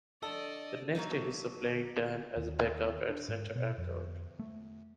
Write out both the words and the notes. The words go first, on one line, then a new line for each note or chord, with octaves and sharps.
The next year, he saw playing time as a backup at center and guard.
D3 F3 A3 A4 D5 D#5
F#3 A#3 D4 D#4
D#2
D4
G#2
B2
F2
A3